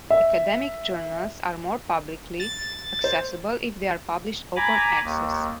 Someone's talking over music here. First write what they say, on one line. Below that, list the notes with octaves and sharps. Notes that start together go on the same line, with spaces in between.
Academic journals are more publicly accessible if they are published open access.
E5
A6
C5
G#5 A#5 B5 D6
D#2